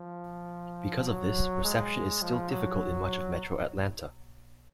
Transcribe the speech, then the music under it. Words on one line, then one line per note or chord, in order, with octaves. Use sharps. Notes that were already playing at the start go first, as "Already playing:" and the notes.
Because of this, reception is still difficult in much of metro Atlanta.
Already playing: F3
F#3
G#3
F3
F#3